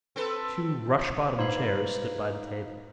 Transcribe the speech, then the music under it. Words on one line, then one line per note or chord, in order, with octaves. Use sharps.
Two rush-bottom chairs stood by the table.
C4 A4 B4
G#2 D#4 B4 C5 F5 B5